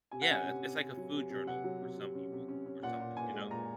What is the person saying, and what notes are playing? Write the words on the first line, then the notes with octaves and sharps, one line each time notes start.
Yeah, it it's, like, a food journal for some people or something, you know?
C3 G#5
F#5
C#4 G#5
C3
C3
C3
F#3
C3
C3
C3 F#5
F#3
C3
C3
C#4
C3
C#4
C#4
A#2 F#5
A#2
A#2 G#5
G#3
A#2 A#5